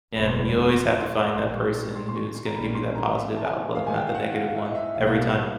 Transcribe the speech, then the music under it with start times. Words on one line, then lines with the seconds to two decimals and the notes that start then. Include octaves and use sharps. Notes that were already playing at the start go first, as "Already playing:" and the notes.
Yeah, you always have to find that person who's gonna give you that positive outlook, not the negative one, every time.
0.16 F#1 E2 B2 G#3 B5
0.28 C6
0.39 B5
0.76 C6
0.98 C6
1.06 C#6
1.36 A#1 A#2 G3 C6
1.55 C#6
1.75 C#6
1.95 C6
2.09 C6
2.15 C#6
2.35 C6
2.46 A#5
2.55 A#1 A#2 G3 A#3 C#4 B5
2.75 C6
2.95 A#5
3.15 E5
3.37 A5
3.45 G#5
3.74 G#2 D#3 G#3 F5
3.87 G#5
3.95 G5
4.08 F5
4.15 F#5
4.35 F5
4.47 F5
4.55 E5
4.66 D#5
4.75 E5
4.94 B1 B2 G3 A#3 F5
5.07 F#5
5.15 F5
5.35 F5